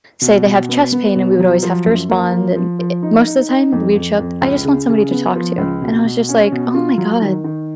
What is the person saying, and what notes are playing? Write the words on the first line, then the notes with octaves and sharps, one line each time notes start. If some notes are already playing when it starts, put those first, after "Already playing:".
say they have chest pain, and we would always have to respond, and i i most the time, we would show up, "I just want somebody to talk to," and I was just like, "Oh my god."
B2
B2
B3
B3
B2
F#3
F3
F#2
A#3
F3
F3
F3
D#4
D#4
D#4
F2
F2
F2
C#2
C#3
C#3
B3
F3
C#2
B2
B2
C#4
B2
F4
F#3
D#3
D#3